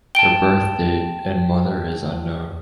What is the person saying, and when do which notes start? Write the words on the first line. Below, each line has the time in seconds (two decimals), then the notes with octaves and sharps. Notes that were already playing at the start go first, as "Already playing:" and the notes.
Her birth date and mother is unknown.
0.15 G5 A5 D7 G7